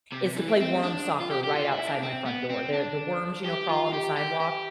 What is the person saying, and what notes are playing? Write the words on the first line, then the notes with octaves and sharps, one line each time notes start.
is to play worm soccer right outside my front door. The the worms, you know, crawl on the sidewalk,
C3
C3
E3
C4
C4
D4
F4
G4
G4
F4
E4
D4
C4
B3
C4
D4
G4
F4
G4
G4
G4